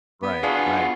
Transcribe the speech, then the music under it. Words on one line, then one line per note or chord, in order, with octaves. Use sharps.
Right, right.
B3
D4 F4 F#4 G#4